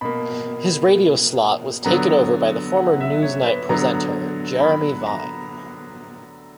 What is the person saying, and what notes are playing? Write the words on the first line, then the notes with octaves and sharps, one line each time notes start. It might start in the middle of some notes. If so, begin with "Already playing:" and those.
His radio slot was taken over by the former "Newsnight" presenter, Jeremy Vine.
B2 A#3 B5
D3 F#3 B3 A#5
F#5
E5
C#5
B4
D3 F#3 B3 A#5
B5
A#5